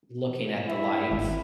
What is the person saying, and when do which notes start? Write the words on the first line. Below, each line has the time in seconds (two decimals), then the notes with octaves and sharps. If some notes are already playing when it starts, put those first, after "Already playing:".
looking at the lights
0.66 E4 E5
1.11 G#1